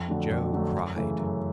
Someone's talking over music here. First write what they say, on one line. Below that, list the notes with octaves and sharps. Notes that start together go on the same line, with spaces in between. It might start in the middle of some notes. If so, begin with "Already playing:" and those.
Joe cried.
Already playing: F2
D3 F#3 A3
F2
D3 F#3 A3
F#2
C#3 E3 A3
F#2